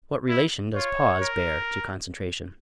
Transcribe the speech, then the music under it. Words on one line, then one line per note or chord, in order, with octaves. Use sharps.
What relation does pause bear to concentration?
E4
F4 C#5
A#4